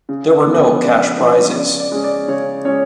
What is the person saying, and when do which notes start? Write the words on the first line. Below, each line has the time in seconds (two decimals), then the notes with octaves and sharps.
There were no cash prizes.
0.09 C#3
0.46 F3 B3 D4
0.82 C#3 D5
1.19 F3 B3 D4 C#5
1.55 C#3 D5
1.80 D5
1.92 G#3 C#4
2.04 D5
2.28 C#3 C#5
2.65 G#3 C#4 C#5